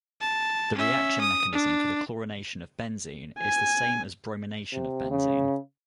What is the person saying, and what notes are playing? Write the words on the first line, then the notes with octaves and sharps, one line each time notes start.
The reaction mechanism for chlorination of benzene is the same as bromination of benzene.
A5
C#4 E5
D#6
D4
G#5
C3
C#3